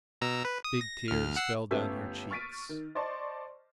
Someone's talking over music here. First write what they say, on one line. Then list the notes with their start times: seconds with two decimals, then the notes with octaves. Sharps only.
Big tears fell down her cheeks.
0.21 B2 A#5 E6
0.45 B4
0.64 D#6
0.81 A#6
1.08 D2 F6
1.36 F#5 E6 C7
1.71 G1 A3 B3 C#4 G4 E6
2.31 C#6 F6 A6 B6 D7 D#7
2.69 D#3
2.95 C5 D5 D#5 A5 C6 C#6